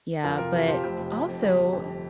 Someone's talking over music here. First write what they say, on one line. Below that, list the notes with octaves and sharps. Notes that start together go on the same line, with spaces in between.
yeah. But also
F2 F4 A#4
C3 F4 A#4
F3 G4
F3 G4 C5
F1 G4 C5
F1
F2
F1
G1 G4
G1
F2